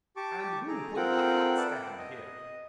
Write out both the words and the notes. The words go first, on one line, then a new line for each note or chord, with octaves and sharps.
"And who put the hat-stand here?"
G4 A5 C#6 D6
G#4 A4 A#5
C4 F4 A4 A#4 F#5 G5
B4 D5 E5 F#5 A5
G5
D#5